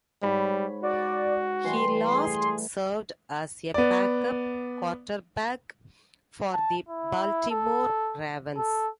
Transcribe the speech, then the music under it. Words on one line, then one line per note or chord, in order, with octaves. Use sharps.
He last served as a backup quarterback for the Baltimore Ravens.
G#2 G3 C#5 B5
F#4 D5
E3 G3 A3 C6
G#4
B3 D5
A5
E4
A4
A4